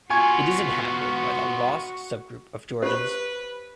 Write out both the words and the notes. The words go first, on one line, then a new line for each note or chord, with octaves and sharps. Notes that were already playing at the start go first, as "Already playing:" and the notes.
It is inhabited by the Laz subgroup of Georgians.
B3 F4 F#4 G#5 C#6 G#6
G4 B4 C5